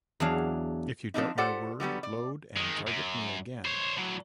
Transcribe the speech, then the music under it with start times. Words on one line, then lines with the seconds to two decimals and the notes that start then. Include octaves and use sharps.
If you doubt my word, load and target me again.
0.20 E2 F#3 D4 F5
1.14 F3 C4 D4 D#4
1.38 F4 G4 A4 C5 D5 F#5
1.80 D3 F#3 G3 B3
2.03 D5
2.57 D#3 G#3
2.87 F#2
3.65 C5 C#5
3.97 A2 F#3